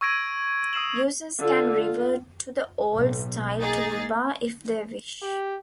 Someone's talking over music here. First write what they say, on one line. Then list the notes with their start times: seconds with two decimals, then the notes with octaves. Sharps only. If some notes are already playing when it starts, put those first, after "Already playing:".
Users can revert to the old-style toolbar if they wish.
0.01 C#6 E6 G#6 A#6 D7 D#7
0.73 D#6 E6 C7 E7 F#7
1.38 D3 F4
1.77 F4
2.93 B1 A2
3.58 A#3 D#4 G#4 A6
5.22 G4